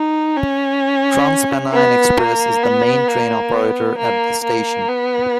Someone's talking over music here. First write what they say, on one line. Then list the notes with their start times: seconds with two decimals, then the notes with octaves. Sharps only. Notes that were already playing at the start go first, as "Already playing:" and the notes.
TransPennine Express is the main train operator at the station.
Already playing: D#4
0.37 C#4
1.73 B3
2.18 A#3
2.63 B3
3.08 A#3
3.53 B3
3.98 A#3
4.44 A#3
4.88 B3